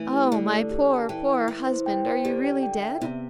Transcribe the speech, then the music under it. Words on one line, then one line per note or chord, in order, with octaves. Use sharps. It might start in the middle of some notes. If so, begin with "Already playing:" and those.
'Oh, my poor, poor husband, are you really dead?
Already playing: E3 A3
G4
D3 A3
A4
G4
A5
E3 G5
E5
E3 E4
C5
G5
C5
D3 G4
G5
G5
E5
C3 B3